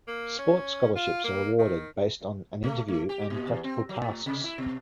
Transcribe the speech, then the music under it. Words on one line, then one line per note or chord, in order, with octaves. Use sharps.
Sports scholarships are awarded based on an interview and practical tasks.
A#3
C#4
F4
A#3
D#3
A3
A3
G4
A#2
E2
C4
F#3
A2
C3
E4
B2